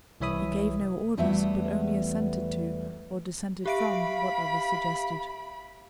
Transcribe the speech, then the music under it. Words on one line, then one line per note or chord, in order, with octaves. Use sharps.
He gave no orders, but only assented to or dissented from what others suggested.
C2 E3 C#5 E5 B5 D#6
E2 F#3 G3 A3 B3 E5
G4 E5 F5 B5 D7